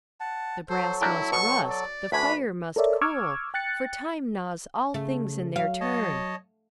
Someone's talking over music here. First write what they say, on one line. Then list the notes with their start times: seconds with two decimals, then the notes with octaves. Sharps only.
The brass must rust, the fire must cool, for time gnaws all things in their turn.
0.20 F#5 A5
0.69 F#3 A4 C5
1.01 D4 E4 A#4 G5
1.32 B2 C#6
1.70 D5
2.12 D2 A3 D4 B4 G#5 B5
2.76 A4 A#4 C#5 D5 E5
3.01 C#6 D6 E6 F6 G#6
3.54 G5 F#6 A6 C#7
4.94 C#3 A3
5.56 F#3 F5
5.81 C#5 D#5 A5